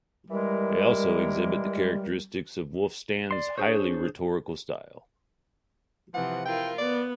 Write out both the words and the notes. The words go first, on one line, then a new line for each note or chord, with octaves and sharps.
They also exhibit the characteristics of Wulfstan's highly rhetorical style.
E3 G3 G#3 A#4
D5 C6
D4 G#4 C5 C#5
C3 E3 F3 F#5
E4 F4 A#4 G5
B3 D5